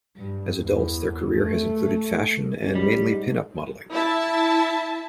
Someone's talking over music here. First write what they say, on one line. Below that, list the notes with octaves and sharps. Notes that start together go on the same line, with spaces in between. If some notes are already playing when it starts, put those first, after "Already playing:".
As adults, their career has included fashion and mainly pin-up modeling.
G2
E2
A3
C#2
G3
G#2
E4 E5 A5